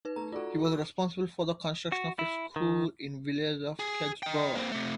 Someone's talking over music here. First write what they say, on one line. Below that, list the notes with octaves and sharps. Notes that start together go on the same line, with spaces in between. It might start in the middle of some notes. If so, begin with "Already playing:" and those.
He was responsible for the construction of a school in the village of Kexborough.
D#4 B4
A3 A#5
F4 F#4 A4 D5
E6
F#4
E4
D#3
G#4
D#5 G5
A#3 C4
C3 A3